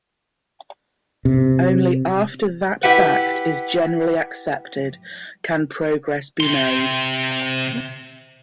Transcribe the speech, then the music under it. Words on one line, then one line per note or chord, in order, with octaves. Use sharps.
Only after that fact is generally accepted can progress be made.
C3
E4 G4 B4 F#5
C3 C6